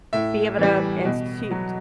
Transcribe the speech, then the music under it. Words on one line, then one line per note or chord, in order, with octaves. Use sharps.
be able to institute
A2 E5
E3 G3
B2
F#3